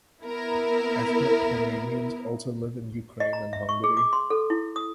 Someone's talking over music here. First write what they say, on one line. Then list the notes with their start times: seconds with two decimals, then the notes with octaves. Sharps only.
Ethnic Romanians also live in Ukraine and Hungary.
0.22 B3 E4 A#4
3.20 D#5
3.33 A#5
3.53 E5
3.69 C#6
3.84 G#4
3.97 D6
4.13 C6
4.30 A4
4.50 E4
4.76 D#6